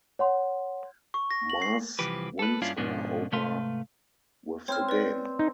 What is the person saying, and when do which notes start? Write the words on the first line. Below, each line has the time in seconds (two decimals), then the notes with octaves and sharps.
Mars wins her over with the game.
0.19 C#5 F#5 C6
1.14 C#6
1.31 A#6
1.50 F#7
1.62 C7
1.99 C2 E3 F3 G4 B4
2.39 A4 B4
2.62 G2 C#4 D4 E4 F4
2.77 G#2 B2 F3 C#4 D4
3.32 G#2 C3 A3 B4 F5 C6
4.68 C4 C5 C#5 F6
4.89 B4 D5
5.39 D#4